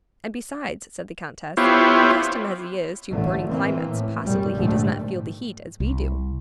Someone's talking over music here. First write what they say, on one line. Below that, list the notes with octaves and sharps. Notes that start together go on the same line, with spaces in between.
"And besides," said the countess, "accustomed as he is to burning climates, possibly he does not feel the heat as we do."
B3 E4 F4 G4 C5 C#5
A1 G2 D3 A3
E3 A#3 C4
A2
F#2 B2 G3
A#1 G#2 D3 G3 A3
C2